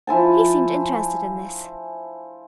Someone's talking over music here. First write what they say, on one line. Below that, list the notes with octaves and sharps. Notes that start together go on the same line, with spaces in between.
He seemed interested in this.
F3 E4 G#5 A5